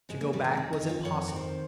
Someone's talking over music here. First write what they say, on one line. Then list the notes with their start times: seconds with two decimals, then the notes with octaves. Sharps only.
To go back was impossible.
0.09 G#2 G#3
0.21 A#3
0.33 D#3 G3
0.44 G#3
0.57 F2 C4
0.73 D#4
0.81 D#3
0.89 F4
1.05 F2 C#5
1.28 D#3
1.36 C5